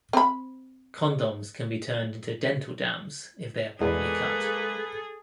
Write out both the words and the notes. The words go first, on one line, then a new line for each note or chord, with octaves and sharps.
Condoms can be turned into dental dams if they are properly cut.
C4 B5
E2 G#3 A#3 G#4 A4 B4 D5